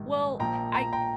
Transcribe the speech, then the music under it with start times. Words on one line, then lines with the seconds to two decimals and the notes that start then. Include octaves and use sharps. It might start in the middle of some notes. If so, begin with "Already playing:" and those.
Well, I
Already playing: A#1 G#2 D#3 G3
0.40 A#1 A#2 F3 G5 A#5
0.75 A#5
0.93 G5 A#5